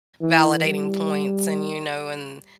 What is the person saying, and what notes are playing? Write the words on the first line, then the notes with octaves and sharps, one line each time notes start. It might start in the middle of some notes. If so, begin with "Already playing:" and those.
validating points, and, you know, and
E3
G3